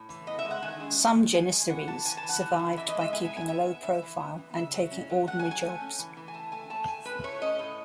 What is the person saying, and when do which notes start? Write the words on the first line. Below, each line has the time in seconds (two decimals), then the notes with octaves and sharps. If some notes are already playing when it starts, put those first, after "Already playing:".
Some Janissaries survived by keeping a low profile and taking ordinary jobs.
Already playing: A2
0.09 E3
0.27 B3 D#5
0.39 E5
0.45 G#3
0.51 F#5
0.62 D#3 G#5
0.80 G#3
0.98 G#3
1.16 D#3
1.34 D#3 G#5
1.51 G#3 G#5
1.70 E3 F#5
1.88 E3 A5
2.05 E3 G#5
2.17 A5
2.23 E3
2.29 F#5
2.41 E3
2.59 E3
2.77 E3 E5
2.88 D#5
2.95 G#3
3.01 E5
3.13 B3 G#5
3.25 G#5
3.31 B3
3.37 G#5
3.48 B3 E5
3.66 B3
3.84 E3 E5
4.02 E3
4.20 B3
4.38 E3
4.56 C#3 E5
4.74 F#3
4.91 C#4
5.10 F#3
5.27 A3 F#5
5.39 G#5
5.45 F#3
5.51 G#5
5.63 A3
5.81 C#4
5.98 E3
6.17 E3
6.28 G#5
6.34 A3 A5
6.52 A3 G#5
6.70 A3 A5
6.88 A3 G#5
7.05 A2 B4
7.24 A3 C#5
7.41 C#4 D#5
7.59 A2